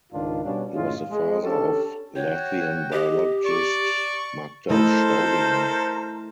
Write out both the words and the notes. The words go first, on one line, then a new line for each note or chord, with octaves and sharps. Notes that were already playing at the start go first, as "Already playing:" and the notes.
He was the father of Latvian biologist Magda Staudinger.
C#2 G#2 D#3 D4 F4
B2 G3 C#4 D4
F#2 A2 C#3 G#3 C#4 F4
G#3
C#4 D4 G4 A4
F#4 C#5 G5
G4 D#5
D5 C#6
A3 E4 A4 A#4 C5 D#5